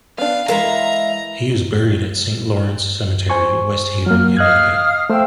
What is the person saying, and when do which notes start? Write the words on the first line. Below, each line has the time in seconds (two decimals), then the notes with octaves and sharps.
He is buried at Saint Lawrence Cemetery, West Haven, Connecticut.
0.18 B3 D4 F5
0.48 E3 G#3 A4 A#4 E5 F5 A#5
3.30 C5 G#5 C#6
4.06 F#3 A#3 F6
4.37 D#5 F5 D#6 F6 F#6 G#6
5.10 A3 C5 F5 G5 E6